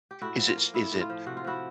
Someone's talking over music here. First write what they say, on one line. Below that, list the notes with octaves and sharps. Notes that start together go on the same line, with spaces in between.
Is it s is it,
G4
A2 E4 F#4
F3
F4
A#3
A2 E4
A2
F4
F3
C3 F#4
F4
F3 E4 F#4